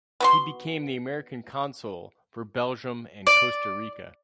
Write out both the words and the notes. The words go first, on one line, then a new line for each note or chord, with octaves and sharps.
He became the American Consul for Belgium and Costa Rica.
B3 F#4 C6
D5